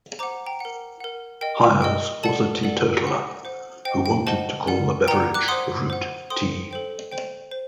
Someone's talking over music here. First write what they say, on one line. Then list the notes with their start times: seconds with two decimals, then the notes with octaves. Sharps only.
Hires was a teetotaler who wanted to call the beverage "root tea".
0.19 C5 F#5 A#5 D6
0.46 G5 A#5
0.60 A#4 F#5
1.00 A#4 F#5
1.41 A#4 D#5 G5
1.82 A#4 D#5 G5
2.23 A4 D5 F#5 A5
2.63 A4 D5 F#5
3.05 C5 F#5
3.45 C5 F#5
3.85 C5 D#5 F#5 G5
4.06 G5
4.26 C5 D#5 F#5 A5
4.67 A#4 D5 F#5
5.08 A#4 D5 F#5 G5 A#5
5.34 D6 F#6
5.48 C5 F#5 C6 D#6
5.90 C5 F#5
6.30 A4 C5 G5 C6 D#6
6.71 A4 C5 G5
7.12 C5 G5
7.51 C5